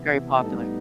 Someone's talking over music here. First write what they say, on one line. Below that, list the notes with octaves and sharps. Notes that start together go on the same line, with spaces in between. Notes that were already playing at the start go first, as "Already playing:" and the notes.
very popular.
Already playing: C3 E3 B3 E4
A2 G3 B3 D#4 A4